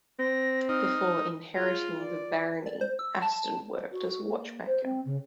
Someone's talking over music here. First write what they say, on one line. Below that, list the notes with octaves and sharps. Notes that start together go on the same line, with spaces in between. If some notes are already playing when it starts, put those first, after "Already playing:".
Before inheriting the barony, Aston worked as a watchmaker.
C4 A#6
D#4 F6
F4 G#4
D5
D5
C5
E6
A5
F#4
A#3
C5
C4
C#3